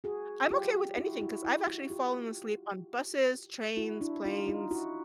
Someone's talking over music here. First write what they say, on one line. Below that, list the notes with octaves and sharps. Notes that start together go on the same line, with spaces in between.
I'm okay with anything 'cause I've actually fallen asleep on buses, trains, planes,
F#4 G#4
F4 G4
E4 F#4
E4 F#4
E4 F#4
E4 F#4
F4 G4
E4 F#4
D4 E4
D#4 F4
D#4 F4
E4 F#4